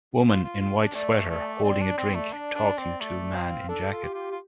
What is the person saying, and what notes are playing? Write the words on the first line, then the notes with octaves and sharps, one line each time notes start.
Woman in white sweater, holding a drink, talking to man in jacket.
F4
F4
F4
D4
A3 D5
A3
C4
D4
C4
A3
D4
D4
C4
A3 D5
C4 F5
D4 A4
F4
G4
F4
F4